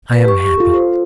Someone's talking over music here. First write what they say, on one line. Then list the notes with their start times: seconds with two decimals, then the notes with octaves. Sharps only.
I am happy.
0.13 B4
0.25 G4 C#6
0.58 F4 A4
0.74 C5